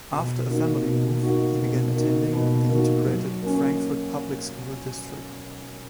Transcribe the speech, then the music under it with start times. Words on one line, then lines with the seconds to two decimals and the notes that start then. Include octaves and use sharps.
After a family move, he began attending the integrated Frankfort public school district.
0.12 B2
0.49 A#3 D#4 F#4
0.86 B2
1.23 A#3 D#4 F#4
1.59 B2
1.95 A#3 D#4 F#4
2.33 B2
2.69 A#3 D#4 F#4
3.06 F#3
3.42 A#3 C#4